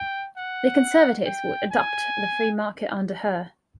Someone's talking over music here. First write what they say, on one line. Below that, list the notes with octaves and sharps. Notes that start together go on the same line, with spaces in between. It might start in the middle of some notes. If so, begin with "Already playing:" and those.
The Conservatives would adopt the free market under her.
Already playing: G5
F#5
G5
G#5